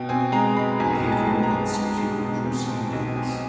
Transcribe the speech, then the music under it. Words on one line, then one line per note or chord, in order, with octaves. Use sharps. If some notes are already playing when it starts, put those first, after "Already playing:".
Naval Institute "Proceedings".
Already playing: B2 G5
C4 G#5
G#3 A#5
G#3 B5
B1 G#5
G#3
A5
B1
A#5
G#3
G#3 A5
G#3
B2
C4
C4 A5
B1
C4 G#5